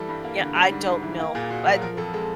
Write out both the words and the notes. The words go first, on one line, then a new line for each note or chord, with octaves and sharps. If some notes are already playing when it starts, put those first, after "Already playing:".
Yeah, I don't know, but i
Already playing: E3 G3 A4
G2
A#3
D3
G3
G#2
G#2
E3
A#3
A#2 G#4
A#2 F#4
F#3 A#4
F3 A#4
F2 A4
G#3 A4